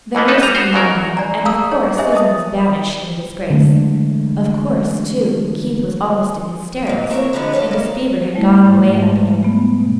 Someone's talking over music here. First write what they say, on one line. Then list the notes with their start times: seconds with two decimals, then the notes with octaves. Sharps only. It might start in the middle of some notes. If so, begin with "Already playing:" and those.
The nurse came in then, and of course Susan was banished in disgrace. Of course, too, Keith was almost in hysterics, and his fever had gone away up again.
0.15 F2 E3 A#3 B3
0.28 B3 D#4 A4 B4
0.41 G3 A#5
0.55 F#4 C5
0.73 G#2 C#3 F#3 A#4
1.17 D5 G#5 A#5
1.45 G#4 F5 A5 A#5 D#6 E6
1.71 G#4 C#5
1.97 G4 G#4 C5 D#5 E5 G#5
2.12 D#5 E5 A5 D#6
3.50 D3 E3 F#3 G#3 A3
6.87 D#2 A#2
7.10 A3 C4 E4 A#4 C#5
7.33 D3 F3 G#3 D4 F4 B4
7.52 G3 C#5 D5 A5
7.71 G2 D#3 A#3
8.35 G3 A3 E4
8.64 G#2
8.93 G#3
9.43 A3 B3
9.80 B2